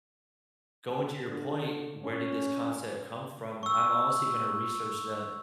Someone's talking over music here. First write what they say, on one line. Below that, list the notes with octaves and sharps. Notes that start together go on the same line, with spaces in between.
going to your point, where did this concept come from? I'm honestly gonna research that,
D3
C#4
C#6 E6